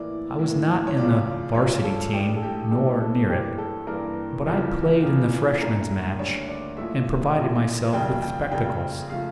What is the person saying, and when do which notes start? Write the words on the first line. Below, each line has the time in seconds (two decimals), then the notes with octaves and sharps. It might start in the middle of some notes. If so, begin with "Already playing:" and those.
I was not in the 'Varsity team, nor near it; but I played in the Freshman's match, and provided myself with spectacles.
Already playing: A2 E3 A#3 E4 D5
0.39 A2 E3 A#3 E4
0.87 C#5
0.97 C#2 C#3 F3 D5
1.55 C#2 C#3 F3 C#5
1.84 A4
2.13 A1 A2 G3 D4 G4
2.36 A4
2.43 G4
2.71 A1 A2 G3 D4 A4
3.00 A4
3.29 G2 E3 A#3 D4 G4
3.58 A4
3.87 G2 E3 A#3 D4 A#4
4.45 E2 C#3 F3 A#3
5.03 E2 C#3 F3 A#3
5.61 D2 D3 G3 A#3 A#4
6.19 D2 D3 G3 A#3 C#5
6.48 D5
6.77 A#1 A#2 A3 E4 E5
7.35 A#1 A#2 A3 E4
7.93 F2 C#3 G3 A#3 G5
8.22 G5
8.51 F2 C#3 G3 A#3 G5
9.10 C#3 F3 A3 F5